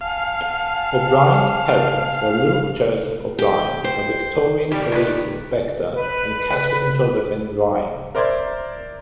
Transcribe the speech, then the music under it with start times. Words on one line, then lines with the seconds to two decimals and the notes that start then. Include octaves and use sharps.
O'Brien's parents were Luke Joseph O'Brien, a Victorian Police Inspector, and Katherine Josephine Ryan.
0.01 F5 F#5 G#5 A5
3.39 G4
3.84 C5
4.72 G3 G4 A4 D5
4.92 D#3 G#4 B4
5.94 B4
8.15 A#4 C5 D5 E5 C6 G#6